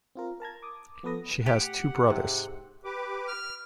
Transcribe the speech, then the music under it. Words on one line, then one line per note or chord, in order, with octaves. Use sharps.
She has two brothers.
C4 F4 A#4
A#4 A5 A#5 G#6
D6 D#6
F3 B3 A4 B4 D#6 A#6
G4 F#5
G#2 C3
G4 B4 D6
F6